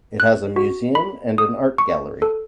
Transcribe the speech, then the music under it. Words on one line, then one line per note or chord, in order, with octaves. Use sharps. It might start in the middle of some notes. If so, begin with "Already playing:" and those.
It has a museum and an art gallery.
F#6
F#4
B5
D#6
C#6
A4